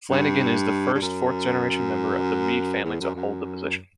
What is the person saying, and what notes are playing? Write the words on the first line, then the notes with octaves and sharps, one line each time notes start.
Flanagin is the first fourth-generation member of the Mead family to hold the position.
G2
G2
F#2
E2
F#2
F#2